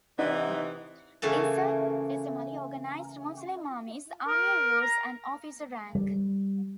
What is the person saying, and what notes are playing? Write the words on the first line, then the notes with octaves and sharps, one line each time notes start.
In certain decimally-organized Muslim armies, Amir was an officer rank.
C3 E3 D4 D#4 F#5
C#3 E3 A3 A#3 F#4 A4
A#4
A#5
G3